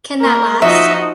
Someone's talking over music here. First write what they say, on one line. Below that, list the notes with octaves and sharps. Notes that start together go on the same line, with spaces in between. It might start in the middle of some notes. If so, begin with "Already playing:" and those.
Can that last?
A#3 A#4
F3 D#4 F#4 D#5 E5